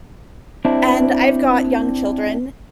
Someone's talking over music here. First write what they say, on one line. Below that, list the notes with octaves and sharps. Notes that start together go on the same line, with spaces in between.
And I've got young children,
C4 D4 E4